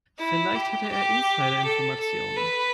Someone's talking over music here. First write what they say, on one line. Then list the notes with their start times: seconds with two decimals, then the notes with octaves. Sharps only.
Vielleicht hatte er Insiderinformationen.
0.19 E4
0.55 G4
0.92 G4
1.64 A4
1.99 A4
2.36 B4